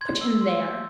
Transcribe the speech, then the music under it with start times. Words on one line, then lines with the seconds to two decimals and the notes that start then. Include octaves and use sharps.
"Put him there."
0.01 C6 G#6
0.21 E6
0.41 C6
0.63 G6